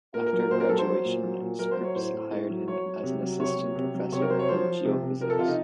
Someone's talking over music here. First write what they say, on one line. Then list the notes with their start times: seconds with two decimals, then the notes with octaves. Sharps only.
After graduation, Scripps hired him as an assistant professor of geophysics.
0.14 A#2 A#4
0.26 A#4
0.33 F#3
0.39 A#4
0.50 A#2 C5
0.60 A#4
0.69 F#3 A4
0.78 C5
0.87 F#3
1.05 A#2
1.23 F#3
1.41 A#2
1.59 F#3 A#4
1.71 C5
1.77 F#3
1.83 C#5
1.95 A2 C5
2.14 A2
2.31 A2
2.50 F#3
2.68 F#3 C#5
2.86 F#3
3.03 C3
3.22 F#3
3.40 C3 C#5
3.58 F#3
3.76 C3
3.94 F#3
4.12 C3 C#5
4.22 A#4
4.30 F#3 C5
4.39 C#5
4.48 F3 C5
4.66 F3
4.85 C3
5.02 C3
5.21 F3 A#4
5.30 A4
5.39 C3 F4
5.48 D#4